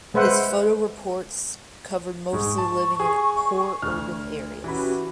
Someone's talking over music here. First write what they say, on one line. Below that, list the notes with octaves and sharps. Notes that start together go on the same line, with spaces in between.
His photo reports covered mostly living in poor urban areas.
G#3 B4 C5 E5 F#5
G#2 G#3 C#6
A5
G#4
D2 F6
E3 C#4 F#4 G4 B5